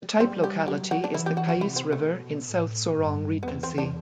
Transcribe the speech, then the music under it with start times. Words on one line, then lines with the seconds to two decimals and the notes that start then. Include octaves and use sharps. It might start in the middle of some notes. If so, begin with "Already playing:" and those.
The type locality is the Kais River in South Sorong Regency.
0.20 G3 C4
0.44 G4
0.68 F#3 G4
0.91 F#4
1.04 D4
1.14 E3 E4
1.26 G4
1.37 F#4
1.49 F#4
1.60 C3 E4
1.76 C4
1.92 A3
2.07 B2
2.54 A2
3.00 G2
3.43 B3
3.48 E2 C4
3.63 C4
3.78 D4